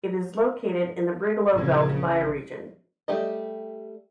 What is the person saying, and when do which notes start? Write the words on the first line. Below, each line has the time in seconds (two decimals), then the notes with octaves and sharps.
It is located in the Brigalow Belt bioregion.
1.54 A#1 C#3
3.08 G3 A3 G4 D#5